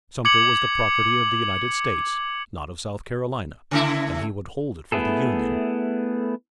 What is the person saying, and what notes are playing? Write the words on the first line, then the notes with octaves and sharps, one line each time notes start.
Sumter was the property of the United States, not of South Carolina, and he would hold it for the Union.
D6 G#6 C#7 F#7
C#3 A3 E4
A3 B3 E4 G#4 A4